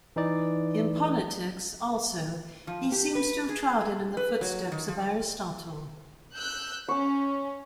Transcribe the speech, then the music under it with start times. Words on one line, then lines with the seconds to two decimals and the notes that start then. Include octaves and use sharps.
In politics, also, he seems to have trodden in the footsteps of Aristotle.
0.16 E3 D#4 D5
2.67 F3
2.92 G4
3.15 B4
3.49 G#4
4.17 B4
4.41 F#3
4.72 D#3
4.88 F3
6.33 E6 F#6 G6
6.88 C#4 C#6 E6